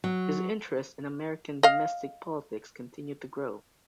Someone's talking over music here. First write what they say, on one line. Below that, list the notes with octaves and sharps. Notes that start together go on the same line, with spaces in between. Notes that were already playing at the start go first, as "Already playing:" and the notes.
His interest in American domestic politics continued to grow.
F#3
D#5 F5